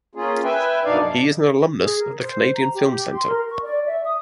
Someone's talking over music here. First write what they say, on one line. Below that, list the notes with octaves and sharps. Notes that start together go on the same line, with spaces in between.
He is an alumnus of the Canadian Film Centre.
A#3 C#4 F4 G#4
B4 E5 G5 G#5
F#2 B2 D4 D#4 D5 F5
G#4
A#4
C5
A#5
G4
C6
A#4
C#6
D5
E5
D#6